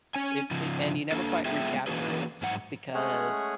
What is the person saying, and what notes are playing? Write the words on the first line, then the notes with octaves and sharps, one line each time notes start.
it's it and you never quite recapture it because
C#4 G#5
C#3 F3
A#3 D4 A4
G#3 B3 F4 G#4 E5 G5
E3 A#3 C#4 F#4 G#4 B4
G#2 F#3 F#5
G#3 A3 C#4 G#4 C#5 F#5